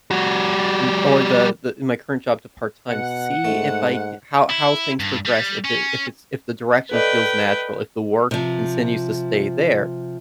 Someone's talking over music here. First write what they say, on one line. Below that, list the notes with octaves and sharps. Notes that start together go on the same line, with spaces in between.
n or the the, in my current job to part-time, see if I ca how how things progress, if it if it's if the direction feels natural, if the work continues to stay there.
G3 F#4
B2 F#5
G#2 A3
E4
G2
G3
C#4
A4 B4 D5 D#5 G5
C3 F3